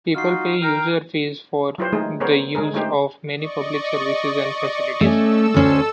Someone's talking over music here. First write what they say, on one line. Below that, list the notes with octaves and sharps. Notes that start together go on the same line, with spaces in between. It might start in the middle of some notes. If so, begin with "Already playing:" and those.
People pay user fees for the use of many public services and facilities.
D#4 F4 F#4 F6 C7
A#4 G5 A#5 F6
F#3 E4 F4 G4 B4 C5
D#3 G#3 A3 D#4 G#4
B3 C#4 G#4 A#4 C5 C#5
D3 G#3 G#4 A#4
G#3 A3 C#4 D#4 G4 C5
D5 D#5 C#6
A3 C#4 A4 E6
D2 C#4 C5